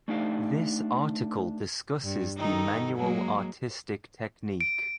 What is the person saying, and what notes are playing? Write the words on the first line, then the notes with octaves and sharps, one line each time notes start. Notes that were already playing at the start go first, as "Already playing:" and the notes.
This article discusses the manual artistic technique.
A3 D4 D#4 G4 F5
G2
D#3 D#4 A4
F#3 G#3 A#3
D7